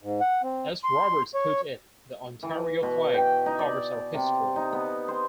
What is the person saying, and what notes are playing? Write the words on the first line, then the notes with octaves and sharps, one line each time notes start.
As Robarts put it, the Ontario flag covers our history.
G#2
F#5
C4
C6
C#5
E3
B2
G5
D#4
D5
C3
D#4
B3
C5